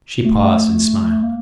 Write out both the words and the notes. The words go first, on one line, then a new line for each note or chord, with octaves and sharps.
She paused and smiled.
A3
A#3